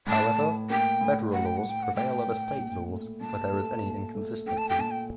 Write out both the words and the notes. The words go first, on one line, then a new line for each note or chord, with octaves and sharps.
However, federal laws prevail over State laws where there is any inconsistency.
A2 A5
A2
A#3 G5
A2
A2 F#5
G5
F#5
A2
G5
F#5
A2 G5
A2
A#2
A3
A#2 A5
A3
A#2
A3
A3 G5
A5
G5
A#2 A5
G5